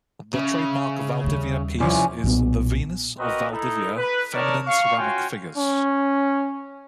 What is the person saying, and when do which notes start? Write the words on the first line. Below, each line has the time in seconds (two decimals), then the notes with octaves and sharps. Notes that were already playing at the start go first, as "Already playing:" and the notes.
The trademark Valdivia piece is the "Venus" of Valdivia: feminine ceramic figures.
0.34 C#3 E5 D#6
1.24 D#2 G3
1.80 C2 F3 C#4 E4 D5
2.24 B1 A#2 C#3 B3
3.17 C4 F#4 A#4 B4 D#5
3.51 D#4 E4 A4
3.97 B4
4.33 D4 D#4 A#4 C#5 D5 A5
4.66 F5 C#6
4.97 C#4 F4 F#4 F5 G5 G#5
5.58 C#4